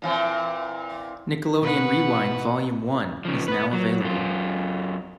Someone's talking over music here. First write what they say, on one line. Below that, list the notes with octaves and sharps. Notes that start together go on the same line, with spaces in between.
Nickelodeon Rewind Volume One is now available.
A#2 E3 C4
B2 B4 F#5
C#3 F3
B3 B4
F#3
F#2 F4